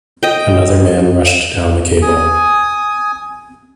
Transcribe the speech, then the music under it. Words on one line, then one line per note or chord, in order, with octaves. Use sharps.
Another man rushed down a cable.
D#5 G5
G#5 D#6